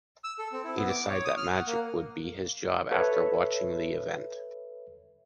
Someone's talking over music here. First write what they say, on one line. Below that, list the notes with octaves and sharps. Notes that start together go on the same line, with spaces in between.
He decided that magic would be his job after watching the event.
E6
A4
C4
E4
B3
D6
C#5
D#6
F6
F#5
A#3
A4 B4 C#5 E5